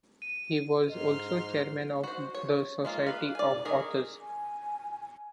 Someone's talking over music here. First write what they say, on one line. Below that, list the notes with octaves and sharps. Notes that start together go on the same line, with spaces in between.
He was also chairman of the Society of Authors.
D#7
G#2 D#5 C6 F6
F#4 C5
C#5
G#3 A#3 F4
B4 F5
D5 G#5
D#3 G#4 A#4
G#5